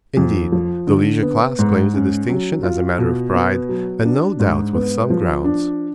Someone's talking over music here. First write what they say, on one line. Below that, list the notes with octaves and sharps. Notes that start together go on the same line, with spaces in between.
Indeed, the leisure class claims the distinction as a matter of pride, and no doubt with some grounds.
F2
F3
D3
B3
G#2
C#4
F#3
F4
B2
B3
F#3
D4
G#2
B3
F3
D4